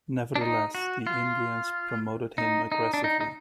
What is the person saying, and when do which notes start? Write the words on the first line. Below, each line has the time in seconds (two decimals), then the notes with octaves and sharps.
Nevertheless, the Indians promoted him aggressively.
0.36 D4
0.41 D#4
0.75 F#4
1.07 F4
2.38 D#4
2.72 D#4
2.94 D4
3.04 D#4
3.21 D#4